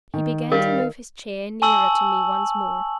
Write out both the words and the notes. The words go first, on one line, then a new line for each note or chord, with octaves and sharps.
He began to move his chair nearer to me once more.
D#3
G3 A#4 F5
G#5 A5 C#6 E6 F#7